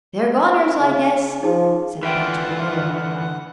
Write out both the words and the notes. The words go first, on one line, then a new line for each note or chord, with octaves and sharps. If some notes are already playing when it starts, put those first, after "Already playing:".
"They're goners, I guess," said the Patchwork Girl.
C#3
F3 D#4 G#4 A5
D3 E3 F4 B4 E5 F#5 G5